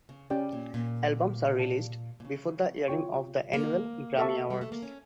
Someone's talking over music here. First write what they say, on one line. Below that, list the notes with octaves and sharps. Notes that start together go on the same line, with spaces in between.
Albums are released before the airing of the annual Grammy Awards.
C#3
C#3 C#4 G4 D5 G5
A#2
A#2
G4 D5 F5 A5
A#2
C#3
F4 C#5 G5 C#6
A#3
A4 E5 A5 C#6
G3
A3
A#3
C#4